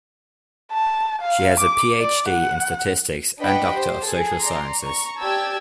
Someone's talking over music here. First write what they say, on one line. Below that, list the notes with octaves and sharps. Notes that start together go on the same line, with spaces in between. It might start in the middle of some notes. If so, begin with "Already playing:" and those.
She has a Ph.D in Statistics and Doctor of Social Sciences.
A5
F5
D6
D5
F#5
D4 B4 D#5 F#5 G5 B5
G4 C5
G#4 A4
D5 A#5 C6
A#5 C#6
G4 D5 G5 A5 E6 G#6